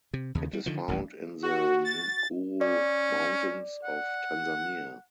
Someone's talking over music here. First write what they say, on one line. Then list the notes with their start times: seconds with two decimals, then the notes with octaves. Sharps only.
It is found in the Nguru Mountains of Tanzania.
0.13 C3
0.35 D#2 C#3
0.53 G3
0.66 D3 D#3 F3
0.88 D#1 A1 D#2 E3
1.43 F#4
1.85 A6
2.61 C#4 D5
3.84 F#5